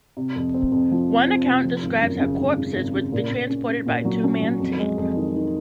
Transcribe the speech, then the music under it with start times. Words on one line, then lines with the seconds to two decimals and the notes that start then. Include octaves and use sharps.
One account describes how corpses would be transported by a two-man team.
0.17 C3
0.36 F2
0.54 C4
0.72 F2
0.91 F3
1.09 C4
1.28 C4
1.46 C3
1.65 F3
1.83 G#1
2.02 F#2
2.21 C#3
2.39 G#1
2.58 C#3
2.76 G#1
2.95 C#3
3.12 A#2
3.31 A#2
3.50 C#4
3.68 C#4
3.86 A#2
4.05 F#3
4.24 C#4
4.42 F#3
4.60 F2
4.79 G#3
4.98 F2
5.16 D#3
5.35 D#3